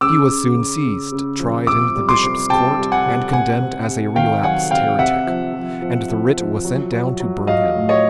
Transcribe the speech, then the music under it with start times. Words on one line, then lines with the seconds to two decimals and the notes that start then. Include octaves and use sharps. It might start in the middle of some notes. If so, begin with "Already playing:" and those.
He was soon seized, tried in the bishop's court, and condemned as a relapsed heretic; and the writ was sent down to burn him.
0.01 C#3 D6 E6
0.29 C#3
0.57 C#3
0.84 C#3
1.12 C#3
1.40 F3
1.67 C3 D6 E6
1.95 G3
2.09 C6 D6
2.22 C3
2.50 C3 G5 A5
2.78 G3
2.92 F#5 G#5
3.06 C3
3.33 C3 F#5 G#5
3.60 C3
3.88 C3
4.16 D#3 F5 G5
4.43 F#3 F#5 G#5
4.71 C3 F5 G5
4.99 C3 E5 F#5
5.27 F3
5.54 F3
5.82 F3
6.10 F3
6.37 F3
6.65 F#3
6.92 F#3
7.20 F#3
7.47 F#3 D#5 F5
7.75 A2
7.89 C#5 D#5